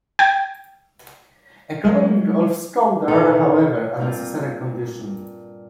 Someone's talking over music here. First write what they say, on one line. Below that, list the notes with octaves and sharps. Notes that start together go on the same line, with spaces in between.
Economies of scope are, however, a necessary condition.
G5 G#6
F#3 G#3
E2 B2 D#3 E3 A4
G2 A#2 A#3 C4 F4